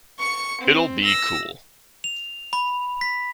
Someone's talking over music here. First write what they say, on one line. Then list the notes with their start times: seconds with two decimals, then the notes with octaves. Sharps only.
It'll be cool.
0.19 C#6 C#7
0.61 C4
1.04 E6 A#6
2.04 F7
2.53 B5
3.01 B6